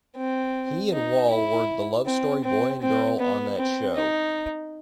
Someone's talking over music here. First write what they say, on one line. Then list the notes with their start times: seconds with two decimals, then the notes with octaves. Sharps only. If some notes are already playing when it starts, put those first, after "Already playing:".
He and Wall were the "Love Story Boy and Girl" on that show.
0.17 C4
0.92 D#4
1.30 E4
2.06 C4
2.44 C4
2.81 C4
3.19 B3
3.57 C4
3.95 D#4